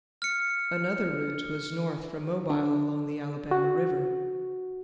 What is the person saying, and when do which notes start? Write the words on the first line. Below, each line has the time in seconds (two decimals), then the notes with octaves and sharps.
Another route was north from Mobile along the Alabama River.
0.22 F6 C#7
2.50 D4
3.51 F#4